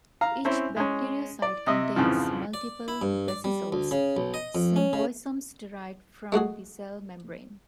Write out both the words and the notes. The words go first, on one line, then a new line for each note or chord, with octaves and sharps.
Each bacteriocyte contains multiple vesicles, symbiosomes derived from the cell membrane.
F5 A#5
C4 C#4 E4
G#3 C#4
D5
C3 D#5 E5
F2 G#2 C#3 E3 F3
D5
E4
G2
D5
G3
D2
C#3
B1
D#5
F2
C#4
C#3
G#3 A3 F#4 G#4